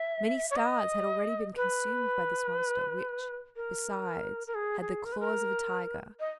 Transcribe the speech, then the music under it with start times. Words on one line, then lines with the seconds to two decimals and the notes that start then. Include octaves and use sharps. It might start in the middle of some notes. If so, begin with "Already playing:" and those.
Many stars had already been consumed by this monster, which, besides, had the claws of a tiger.
Already playing: E5
0.51 C#5
0.56 D#5
1.56 B4
3.56 A#4
4.47 A#4
4.55 G#4
4.81 G#4
5.05 A#4
5.12 B4
5.20 A#4
6.20 D#5